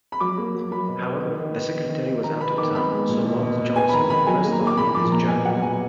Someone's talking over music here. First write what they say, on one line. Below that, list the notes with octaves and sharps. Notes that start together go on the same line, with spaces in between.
However, the secretary was out of town, so Wallace-Johnson pressed on in his journey.
B5
F#3 D6
A#3
F#3
F#3 B5
B2
B3
D#3
D#3
B3
D#3
D#3
D#3
D#3 A#5
B3 B5
D#3 D6
B3 B5
G#3
A#2
B2
B2
B2
B3 G#5
B5
D#3 A#5
D#3 B5
F#3 G#5
A#3
A#5
A#3
D6
A#2 B5
F3 D6
A#2 A#5
B2 G#5
F#3 F#5
B2 G#5